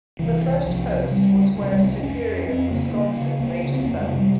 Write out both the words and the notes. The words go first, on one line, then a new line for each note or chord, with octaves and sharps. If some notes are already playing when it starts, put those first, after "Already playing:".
The first post was where Superior, Wisconsin, later developed.
C2 E3
C2
C2 F3
C3
C#2 G3
C#2
C3 G#3
G3
C2
G#3
F2 C#4
F2
F2 C4
C#3 A#3
C#3 A#3
C#3
C#2 A#3
C#3
C4
F2 A#3
G#3
C3
G3